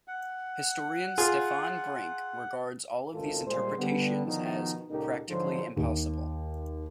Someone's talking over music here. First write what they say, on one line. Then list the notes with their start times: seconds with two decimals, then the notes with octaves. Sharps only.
Historian Stefan Brink regards all of these interpretations as "practically impossible".
0.08 F#5
1.18 F4 G#4
3.13 G#1 C#2 D#3 G#3 F4 A4
3.46 A#2 G3 G#3 G#4 C5
3.78 D3 G3 B3
4.26 B2 D#3 F3 D#4
4.90 C#2 A#2 D#4 G4 A4 A#4
5.29 G#2 D3 F3 F#3 A4 C5
5.76 D#2